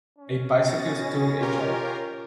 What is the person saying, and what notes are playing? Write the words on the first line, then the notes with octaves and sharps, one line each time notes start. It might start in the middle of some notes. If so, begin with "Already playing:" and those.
A bicyclist doing a jump.
C#4
B2 A6 A#6
F4 G4 A#4